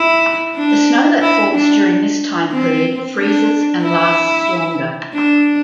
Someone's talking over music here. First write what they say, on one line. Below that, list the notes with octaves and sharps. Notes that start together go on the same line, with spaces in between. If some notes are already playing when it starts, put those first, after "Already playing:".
The snow that falls during this time period freezes and lasts longer.
Already playing: E4
D4
E4
D4
C4
D4
E4
D4